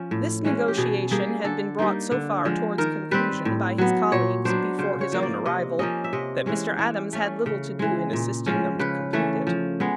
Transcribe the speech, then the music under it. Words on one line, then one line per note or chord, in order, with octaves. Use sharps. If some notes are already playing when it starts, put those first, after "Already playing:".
This negotiation had been brought so far towards conclusion by his colleagues before his own arrival that Mr. Adams had little to do in assisting them to complete it.
Already playing: F3 C#4
A2
E3 G#3 C#4
G4
B2 G#4
G3 A#3 G#4
D3 A4
G3 A#3 D#4
D3
F3 G#3
D#3 A#4
G3 C4 B4
A2
F#3 B3
A#2 C#5
F#3 B3 D4 C5
C#3 C5
C#5
F3 A#3
D5
C3 D#5
F3 A#3 C#4 D#5
E5
C3 D#5
E3 G#3 C#4
E3
A3 C#4
C#3
E3 G#3
A#2
F3 G#3 C#4
C#3 B4
E3 A3 C#4
F3
G#3 B3